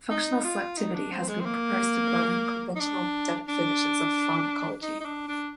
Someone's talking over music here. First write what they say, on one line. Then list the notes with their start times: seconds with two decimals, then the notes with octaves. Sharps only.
Functional selectivity has been proposed to broaden conventional definitions of pharmacology.
0.11 D#4
0.44 F4
0.77 D#4
0.94 D4
1.12 C4
1.28 G#3
1.40 C4
1.45 A#3
2.76 D#4
2.80 D4
3.48 D4
4.83 D#4
5.01 D#4
5.05 D4
5.28 D4